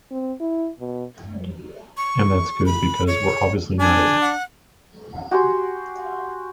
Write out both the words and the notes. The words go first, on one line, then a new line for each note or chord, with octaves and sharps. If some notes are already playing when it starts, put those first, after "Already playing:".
And that's good, because we're obviously not it.
C4
E4
B2
C#6
B5
C#5
D4 G#5
F#5
F#4 G4 G#5 C6